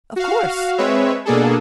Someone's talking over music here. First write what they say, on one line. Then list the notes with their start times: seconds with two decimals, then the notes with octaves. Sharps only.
"Of course."
0.16 F#4 F5
0.78 G#3 C4 B4 C#5 E5
1.25 B2 A#3 D4 G#4 A4